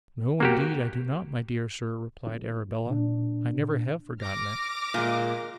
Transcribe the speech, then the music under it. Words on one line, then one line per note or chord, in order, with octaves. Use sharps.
'No, indeed I do not, my dear Sir,' replied Arabella. 'I never have forgotten it.
A#3 F#4 G4
A#2 D4
D6 F6 A#6
A#2 G#3